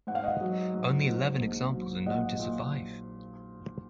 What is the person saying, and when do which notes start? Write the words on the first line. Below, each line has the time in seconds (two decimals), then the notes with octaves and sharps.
Only eleven examples are known to survive.
0.07 G#2 F#5
0.15 F5
0.23 D#5 F#5
0.41 F#3
0.74 G#2
1.07 G#2
1.39 A#1
1.74 F#3
2.06 A#2 D#5 F#5
2.39 A#2